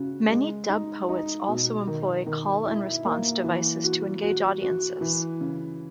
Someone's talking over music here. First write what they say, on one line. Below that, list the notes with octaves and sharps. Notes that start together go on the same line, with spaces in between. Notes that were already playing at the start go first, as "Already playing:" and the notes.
Many dub poets also employ call-and-response devices to engage audiences.
Already playing: C#3 F#4
G#3
D#4
D#4
B2
D#3
D#3
E4
A#3
E3
F#4
F#4
F#4
E3
C#3